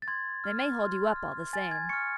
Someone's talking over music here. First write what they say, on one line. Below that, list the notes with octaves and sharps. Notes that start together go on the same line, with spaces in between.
They may hold you up all the same.
A6
C6 G#6
F6
C6
F6
G#5 A6
G#6
C#6 F6 C#7